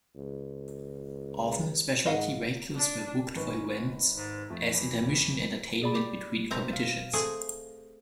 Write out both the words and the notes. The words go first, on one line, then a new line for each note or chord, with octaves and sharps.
Often, specialty vehicles were booked for events as intermission entertainment between competitions.
C#2
G#2 D#5 F5 F#5
D4
G#1 C#4 B4
G#2
F2 A3
E3
G#4 D5 B5
G4
B2 C4 C5 E5 A#5
F5
A3 C4 G#4